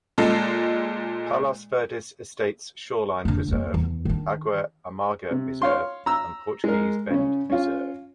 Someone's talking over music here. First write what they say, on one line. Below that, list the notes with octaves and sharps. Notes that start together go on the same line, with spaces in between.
Palos Verdes Estates Shoreline Preserve, Agua Amarga Reserve, and Portuguese Bend Reserve.
A#2 G#3 A4
F2 D3
F2 A#3
E2
D#3 D4
C3
C#5 F5 C6
A#5 E6
G#3 A#4
C#3 C#4
C#4 F4